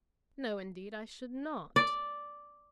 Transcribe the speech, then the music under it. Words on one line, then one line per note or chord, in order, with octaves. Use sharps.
"No, indeed I should not."
D5